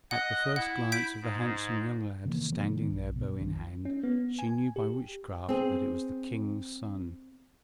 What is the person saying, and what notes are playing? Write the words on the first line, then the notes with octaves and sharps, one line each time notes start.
At the first glance of the handsome young lad standing there bow in hand, she knew by witchcraft that it was the King's son.
D#5 F#5 D#6 F#6
E4 F#5
G6 B6 D7
G#2
C3 D#3 E3 A#3
C3 F3 G#3 A#3
D#3 B3 D4
D1 A#1
C2 B2
B1 D#3 C4
C#4
B3
G#5
G4
C4 G#4